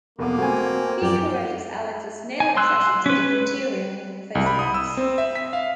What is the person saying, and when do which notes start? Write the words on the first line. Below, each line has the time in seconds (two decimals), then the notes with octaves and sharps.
He encourages Alex's snail obsession to get material for his books.
0.19 F1 A#3 B3 D6
0.38 A3 C4 F#4 G#5
1.02 F#2 F3 D5 G5
2.40 G#5
2.57 C6 E6 F#6
3.06 C#4 B4
4.35 C2
4.46 B5
4.59 D#6
4.74 E6
4.97 C4
5.18 E5
5.35 B6
5.53 F5